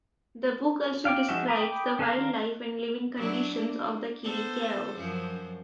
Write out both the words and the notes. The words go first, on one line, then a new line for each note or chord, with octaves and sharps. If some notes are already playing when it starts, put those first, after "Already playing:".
The book also describes the wildlife and living conditions of the Chiricahuas.
F5 G5 D6 F6
F3 G#3 D#4 F#4 E5
A#5 B5 D6 D#6
G5 B5 D6 D#6
C#4 A4 B4 C#5 F5
D#3 D4 F5 A#5 C6
F#3 D4 E4
A#3
B3 A4 C5
F#2 F3